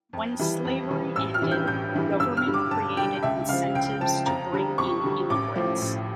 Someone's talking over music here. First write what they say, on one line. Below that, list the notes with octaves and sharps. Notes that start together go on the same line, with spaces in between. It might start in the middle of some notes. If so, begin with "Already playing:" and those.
When slavery ended, government created incentives to bring in immigrants.
F2
E3 G3
F2
E3 G3
A1 E6
F6
G2 E3 G3
G6
A1 G6
G2 E3 G3
G1 E6
F6
G2 D3 G3
D6
G1 A5
G2 D3 G3 G5
C#2 E5
C#3 F3 F5
C#2 G5
C#3 F3 A5
F2 A#5
D3 G3
F2 C#6
D3 G3
A1 D6
A2 F3
A1